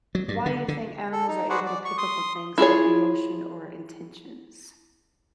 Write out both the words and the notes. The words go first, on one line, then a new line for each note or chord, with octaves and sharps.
Why do you think animals are able to pick up on things like emotion or intentions?
F#3
G2
D3
D3
A4
D#4
F#4 G#4 B4 C5 D5 F#5
D5
C#6
C6 D#6
E4 F4 G#4 C#5